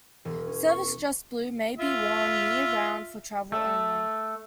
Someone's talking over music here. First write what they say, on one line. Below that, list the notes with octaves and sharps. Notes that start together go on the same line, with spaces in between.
Service Dress Blue may be worn year round for travel only.
E1
C#4
C#6
F4 E5
A3